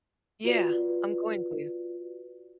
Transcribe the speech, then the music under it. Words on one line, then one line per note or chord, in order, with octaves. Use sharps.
Yeah, I'm going to.
F4 F#4 B4 D5